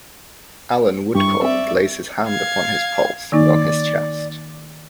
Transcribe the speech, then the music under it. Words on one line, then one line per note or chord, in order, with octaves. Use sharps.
Allan Woodcourt lays his hand upon his pulse and on his chest.
G2 E4 G4 C#6
C4 D5 E5
F5 G#6
D#3 A#3 D#4 D5